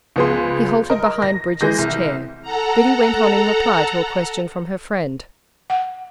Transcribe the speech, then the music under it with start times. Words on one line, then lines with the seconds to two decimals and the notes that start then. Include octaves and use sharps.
He halted behind Bridget's chair. Biddy went on in reply to a question from her friend.
0.16 C#2 F3 B3 G#4 C6
0.90 A#4 D#5
1.22 A#6
1.61 E3 G#3 G#4 G6 A#6
1.78 C2
2.42 A4 F#5 A#5
5.70 F#5